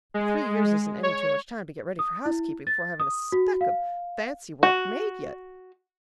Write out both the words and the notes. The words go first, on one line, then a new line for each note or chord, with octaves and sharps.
But three years isn't any too much time to get ready for housekeeping, for I haven't a speck of fancy work made yet.
G#3
C#5
D#6
E4
A6
D#6
F#4
F5
F#4